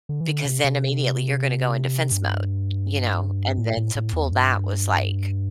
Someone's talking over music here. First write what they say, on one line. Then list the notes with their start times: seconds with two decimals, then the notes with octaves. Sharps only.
Because then immediately, you're gonna go in defense mode, you know? And then to pull that was, like
0.09 D3
0.21 E3
0.28 D3
0.45 C3
0.64 C3
2.12 G2
3.58 A2
3.77 A2
3.95 A2
4.13 E2
4.32 G2